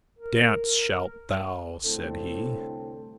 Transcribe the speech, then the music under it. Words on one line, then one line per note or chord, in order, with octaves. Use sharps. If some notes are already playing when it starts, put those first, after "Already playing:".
"Dance shalt thou!" said he.
A#4
C2 A2 D3 C4 A4